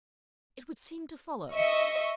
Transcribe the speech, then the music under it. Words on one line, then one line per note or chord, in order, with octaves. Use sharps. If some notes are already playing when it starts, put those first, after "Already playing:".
'It would seem to follow.'
D#5 E5 C#6